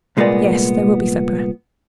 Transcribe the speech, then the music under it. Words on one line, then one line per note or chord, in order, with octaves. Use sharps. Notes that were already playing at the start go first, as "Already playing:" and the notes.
"Yes, there will be supper."
C2 A#2 G#3 A#3 B3 D5